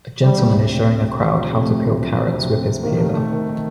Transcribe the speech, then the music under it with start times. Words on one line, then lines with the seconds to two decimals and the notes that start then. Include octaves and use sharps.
A gentleman is showing a crowd how to peel carrots with his peeler.
0.22 C3 G3
0.39 D2
0.55 C3
0.71 C4
0.88 C4
1.04 C3
1.20 C3
1.36 F3
1.53 C3 A3
1.69 D2
1.85 D2
2.02 F3
2.17 D2
2.34 C3
2.50 C3
2.67 C3
2.83 D#3 A#3
3.00 A3
3.15 A3
3.32 D#3
3.48 D#3